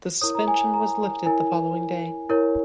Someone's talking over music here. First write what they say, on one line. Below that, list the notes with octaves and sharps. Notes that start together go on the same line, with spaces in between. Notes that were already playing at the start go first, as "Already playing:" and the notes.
The suspension was lifted the following day.
E4 A#4 C#5 D#6
A#5
G#5
G#5
A#5
E4 A#4 C#5 G#5
E4 A#4 C#5